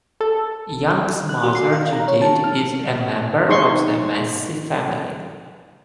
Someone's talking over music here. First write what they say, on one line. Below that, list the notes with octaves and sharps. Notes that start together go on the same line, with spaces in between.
Young's mother Judith is a member of the Massey family.
A4
F#6
F#4
C7
F5
A#5
C#5
A5
F6
D#4 G#4 C#5 C6 C#6